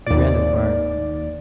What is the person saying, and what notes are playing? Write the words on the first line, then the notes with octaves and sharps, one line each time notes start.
We ran to the barn.
D#2 D5